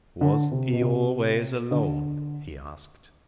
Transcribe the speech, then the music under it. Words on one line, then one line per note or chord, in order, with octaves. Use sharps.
"Was he always alone?" he asked.
D3
C3
B2
C3
D3